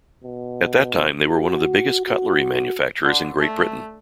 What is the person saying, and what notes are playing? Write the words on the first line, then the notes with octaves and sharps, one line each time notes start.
At that time they were one of the biggest cutlery manufacturers in Great Britain.
B2
F#4
F#4
D3
A3